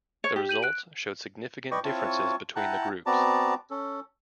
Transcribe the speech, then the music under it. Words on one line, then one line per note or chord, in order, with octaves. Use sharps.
The results showed significant differences between the groups.
C#5
G4
G6 D#7 F#7
F#6 D7
B4 D5 D#5 G5 C#6
C4 E4 F4 C#5 A5 C#6
E4 F#5 G5 A5 A#5 F#6
B3 C4 F#4 D5 A5 A#5
C#4 A4